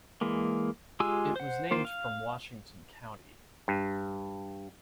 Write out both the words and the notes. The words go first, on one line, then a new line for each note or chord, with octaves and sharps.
It was named from Washington County.
E3 G#3 A#3
G#3 F4 G4 G#5 E6
C5 F#5
D#3 A#3 F4 C5
F5
G2